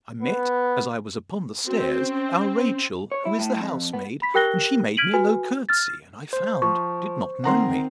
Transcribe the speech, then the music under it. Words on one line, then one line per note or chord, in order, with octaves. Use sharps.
I met, as I was upon the stairs, our Rachel, who is the house-maid; and she made me a low courtesy, and I found did not know me.
B3
C4 F#4
C#4
C#5
E4
A2
F2
B3
B5 B6
G4 A#4 G5 F#6 A#6 G7
F6 G#6 B6 D7 D#7 F#7
F#4 B4 G#5
F6 A6
C5
F3 C#6
D#3 C4 F#5 A#5 C6